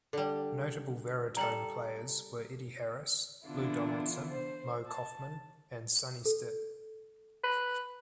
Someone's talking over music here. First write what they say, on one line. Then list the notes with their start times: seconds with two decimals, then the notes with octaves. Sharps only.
Notable Varitone players were Eddie Harris, Lou Donaldson, Moe Koffman, and Sonny Stitt.
0.13 D3 G3 A4
1.37 G3 A4 A#5 F#7
3.46 D3 E3 B3 D4 E4 F4
4.30 C5
4.88 A5
6.25 A4
7.44 B4